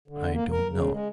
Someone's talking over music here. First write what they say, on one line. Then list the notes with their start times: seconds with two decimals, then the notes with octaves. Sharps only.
I don't know....
0.08 D3
0.33 A#3
0.51 A#4
0.70 C#3
0.91 G#3